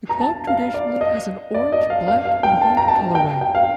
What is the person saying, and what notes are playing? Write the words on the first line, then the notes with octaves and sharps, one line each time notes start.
The club traditionally has an orange, black and white colourway.
A#5
A5
F5
D5
D#5
D5
D#5
F5
F5
F5
G5
A5
A#5
A5
G5
G5
F5